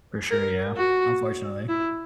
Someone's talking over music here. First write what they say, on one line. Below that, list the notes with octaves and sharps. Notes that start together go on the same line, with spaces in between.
For sure, yeah, unfortunately.
A#4
F#4
E4